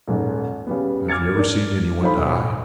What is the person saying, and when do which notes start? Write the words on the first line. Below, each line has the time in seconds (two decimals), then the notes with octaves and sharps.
"Have you never seen any one die?"
0.07 D#1 G#2
0.67 C#3 G3 B3
1.08 D6 F6 G#6 A6 C#7
1.36 D4 A#4
2.01 D#4 F4 A4 C5 F5 B5
2.15 B1